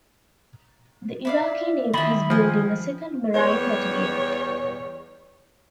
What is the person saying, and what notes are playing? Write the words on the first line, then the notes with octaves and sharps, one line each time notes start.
The Iraqi Navy is building a second Marine battalion.
E4 D5 F5
D#3 E4 D#5 B5
F3 G#4 D#5
E2 G3 C#5